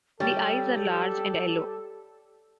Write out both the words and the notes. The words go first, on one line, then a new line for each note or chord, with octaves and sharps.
The eyes are large and yellow.
G3 G4 A4 C#5 G5 A5